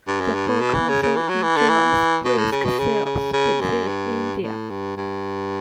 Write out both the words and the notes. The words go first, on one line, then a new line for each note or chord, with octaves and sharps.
The book also enjoys brisk sales within India.
G2
F#2
G2
A2
B2
E3
C#3
C#3
E3
F#3
E3
D3
E3
B2
A2
C#3
B2
C#3
C#3
C#3
F#2
G2
A2
G2
G2